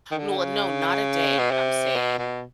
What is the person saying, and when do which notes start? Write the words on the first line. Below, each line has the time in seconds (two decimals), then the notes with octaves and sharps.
No a no not a day, I'm saying
0.11 D#3
0.14 D3
0.38 C#3
1.39 B2
1.51 C3
1.96 B2
2.19 B2